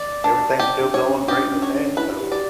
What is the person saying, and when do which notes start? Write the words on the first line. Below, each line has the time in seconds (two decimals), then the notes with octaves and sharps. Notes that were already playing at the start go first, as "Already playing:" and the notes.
everything's still going great with that so
Already playing: D5
0.24 D4
0.59 G4
0.82 D4
0.94 C#5
1.05 C#4
1.28 D4 G4
1.51 C#4
1.62 C#5
1.75 D4
1.97 E4 B4
2.10 F#4
2.20 G4
2.32 D5